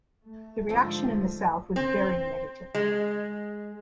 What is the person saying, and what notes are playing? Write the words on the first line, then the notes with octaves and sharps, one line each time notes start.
The reaction in the South was very negative.
A3
G#2 D3 F3 C4 A5 E6
C4
G#3